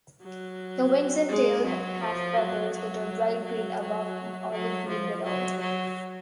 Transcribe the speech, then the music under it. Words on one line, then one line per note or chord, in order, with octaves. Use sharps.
The wings and tail have feathers that are bright green above and olive-green below.
F#3
G#3
F#3
F3
F#3
F#3
F#3
F#3
F#3
F3
F#3
F#3